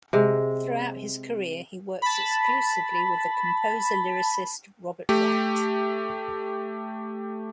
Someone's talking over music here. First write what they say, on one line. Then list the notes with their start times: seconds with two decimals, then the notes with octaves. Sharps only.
Throughout his career he worked exclusively with the composer-lyricist Robert Wright.
0.13 C3 G#3
2.02 A5 B5
5.09 A3 G4